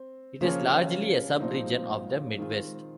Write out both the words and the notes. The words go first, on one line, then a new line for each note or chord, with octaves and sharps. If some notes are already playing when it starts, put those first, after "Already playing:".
It is largely a sub-region of the Midwest.
Already playing: C4
C#3 F3 A#3 C#4 F4
A#2 F3 C4 D#4
D#3 G#3 C4 F4